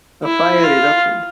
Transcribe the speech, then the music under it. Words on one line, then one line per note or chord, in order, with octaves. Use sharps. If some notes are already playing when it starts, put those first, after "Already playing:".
A fire erupted.
E4
F4